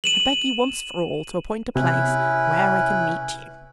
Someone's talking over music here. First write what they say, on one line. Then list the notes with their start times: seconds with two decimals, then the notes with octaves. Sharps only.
I beg you once for all to appoint a place where I can meet you.
0.04 D#7 E7 F#7
1.76 C3 C#4 E4 B4